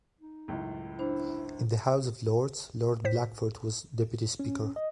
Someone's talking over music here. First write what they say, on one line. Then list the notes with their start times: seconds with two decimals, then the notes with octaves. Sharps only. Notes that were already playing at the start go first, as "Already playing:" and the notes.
In the House of Lords, Lord Blackford was Deputy Speaker.
0.21 D#4
0.48 C#2 F#2 A2
0.99 D4 E4 C5
3.05 A2 C5 B6
4.39 C#4
4.76 D#5